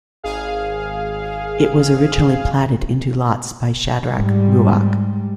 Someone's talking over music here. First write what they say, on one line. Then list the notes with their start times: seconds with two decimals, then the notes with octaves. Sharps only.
It was originally platted into lots by Shadrach Ruark.
0.23 G#1 G#4 F5
4.08 G#2 G3